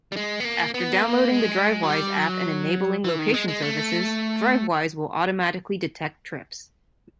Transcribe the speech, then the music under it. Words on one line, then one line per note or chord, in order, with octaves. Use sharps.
After downloading the Drivewise app and enabling location services, Drivewise will automatically detect trips.
G3
G#3
B3
A#3
B3
A#3
G#3
F#3
G3
F#3
E3
D#3
G#3
G#3
A3